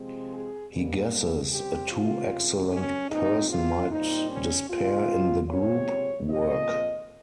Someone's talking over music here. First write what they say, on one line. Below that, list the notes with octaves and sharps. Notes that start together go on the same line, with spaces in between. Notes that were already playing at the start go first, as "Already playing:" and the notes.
He guesses, "A too excellent person might despair in the group work".
Already playing: C3 F3 G#3 C4
G#4
G#2 G3 A#3
C3 G3 C4 G4
F4
C#3 G#3 C4
C#4
A#2 F3 G#3 C4 D#4
F4
A#2 G3 C4 D#4
C#4
A#2 G#3 C4 F4
C3 F3 G#3 C4 C#5
A#2 F3 G#3 C4 D#5